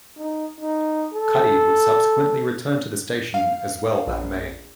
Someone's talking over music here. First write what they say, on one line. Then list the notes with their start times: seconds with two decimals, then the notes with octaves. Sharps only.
Cuddy would subsequently return to the station as well that May.
0.18 D#4
0.61 D#4
1.14 A4
3.34 F5
4.07 A#1